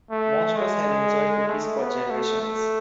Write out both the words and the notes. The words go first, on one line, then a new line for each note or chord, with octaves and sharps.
Monsters have enjoyed cookies for generations.
A3
G#3
A3
B3
A3
A3